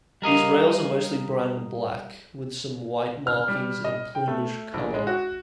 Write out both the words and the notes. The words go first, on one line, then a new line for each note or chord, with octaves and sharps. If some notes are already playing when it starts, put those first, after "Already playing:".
These rails are mostly brown and black with some white markings in plumage colour.
G3 A#4 D#5 F5
F6
G3
D#5
G5
A3
A#1
G#3
F#4